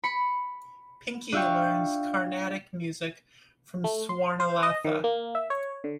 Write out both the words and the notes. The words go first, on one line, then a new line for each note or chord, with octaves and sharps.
Pinky learns carnatic music from Swarnalatha.
B5 C#7
D4 F4 E5 F5 G5 C#6
A3
C6
C5
D#5
D#3
A#3
E5
C#5
D3